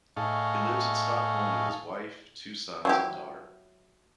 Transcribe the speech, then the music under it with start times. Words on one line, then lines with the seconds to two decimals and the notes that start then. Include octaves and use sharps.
He lives in Stockholm with his wife, two sons and daughter.
0.17 A2 D#4 G#4 F5 A5 C#6
2.85 F#3 E4 G4